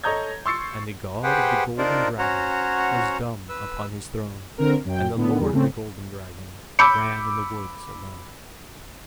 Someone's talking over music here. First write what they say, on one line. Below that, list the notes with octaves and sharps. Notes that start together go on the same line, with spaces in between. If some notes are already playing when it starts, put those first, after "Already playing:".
And the God of the Golden Dragon Was dumb upon his throne, And the lord of the Golden Dragon Ran in the woods alone.
A4 C#5 D#5 A#5 G6 G#6
C6 C#6 E6 A6 C7 C#7
G4 G#4 B4 C5 F#5 G5
D4 D#4 F4 A#4 C5 D5
C#4 F#4 C5 C#5 F#5 A#5
B4 E6
D3 C4 A#4
F#2 G5
A2 D3 B3
E2 G3 G#4
C#3 A3 C4
B5 D6 E6 G6 C#7